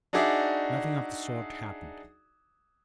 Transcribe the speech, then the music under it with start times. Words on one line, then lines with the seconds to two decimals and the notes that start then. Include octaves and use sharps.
Nothing of the sort happened.
0.13 D4 D#4 F#4 G#4 D5 E5